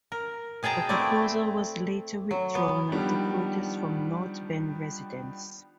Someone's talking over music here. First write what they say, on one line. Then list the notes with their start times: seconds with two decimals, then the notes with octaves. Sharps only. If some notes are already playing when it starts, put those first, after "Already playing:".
The proposal was later withdrawn after protests from North Bend residents.
0.12 A#4
0.63 B2 G#4 G5 A5 A#5
0.89 A3 C4 E4 D5
2.31 F#3
2.55 B3
2.92 D#3 F3 G3 B3 D4